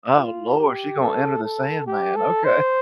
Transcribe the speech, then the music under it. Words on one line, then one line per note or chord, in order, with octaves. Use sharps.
Oh, lord, she gonna Enter the Sandman, okay.
F4
G4
A4
A4
G4
A4
C5